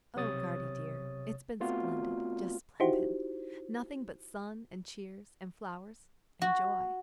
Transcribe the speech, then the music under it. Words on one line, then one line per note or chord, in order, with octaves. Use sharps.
"Oh, guardy dear, it's been splendid--just splendid--nothing but sun and cheers and flowers--and joy."
B1 C3 C#5 D#6 A6
A3 B3 C4 F4 F#4
D#4 E4 F#4 G4 C5
F#4